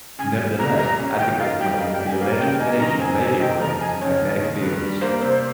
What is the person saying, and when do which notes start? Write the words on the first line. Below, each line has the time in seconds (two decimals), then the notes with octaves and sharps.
Nevertheless, advocates claim that the alleged energy may be related to magnetic fields.
0.19 C#3 G#5
0.39 G3
0.59 C2 A#5
0.79 A#2 A#5
0.99 C#4
1.19 D#3 G5
1.39 D#4 F5
1.60 G3 G5
1.80 D#4 F5
1.93 G5
2.00 G3
2.07 G#5
2.20 A#3 F5
2.40 C#3 G5
2.60 D#4 G#5
2.80 D#3 A#5
3.00 C4 G#5
3.13 G#5
3.20 C3
3.27 G#5
3.40 D#4 G5
3.60 F3 A#5
3.80 D#4 G#5
4.01 C#3 C#5
4.21 D#2
4.40 D#3
4.61 G2
4.81 G3
5.01 A#3 C5
5.21 C3 C5